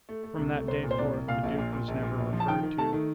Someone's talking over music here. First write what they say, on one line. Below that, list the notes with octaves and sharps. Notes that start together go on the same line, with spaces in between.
From that day forth the duke was never referred to.
A3
A3
C2
A3
C2 C5
A#2
C5
C2 D5
C2
A#2 F5
A#1
A#2
A#2
A#1
A#2
A#1
F3
A5
D#3 G5
D#3
A3 A5
D#3